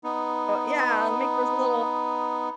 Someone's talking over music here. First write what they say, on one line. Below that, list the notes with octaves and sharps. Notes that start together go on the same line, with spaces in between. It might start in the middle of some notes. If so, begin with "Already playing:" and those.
Yeah, and make those little
B3 D#4